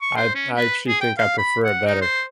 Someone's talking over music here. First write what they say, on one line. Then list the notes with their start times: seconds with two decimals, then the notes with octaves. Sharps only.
I'd I actually think I prefer it better,
0.02 C#6
0.16 C5
0.35 C#4
0.57 B4
0.88 G#4
1.01 G5
1.18 F5
1.38 B5
1.65 F#5
1.87 D#4
2.02 C5